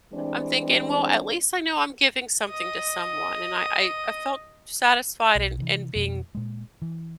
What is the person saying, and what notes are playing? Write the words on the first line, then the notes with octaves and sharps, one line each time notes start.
I'm thinking, "Well, at least I know I'm giving something to someone," and I I I felt satisfied in in being
E3 G3 G#3 C4 D4
D#5 D#6
B1
C3 E3
F2 B2
A#2 G#3
E3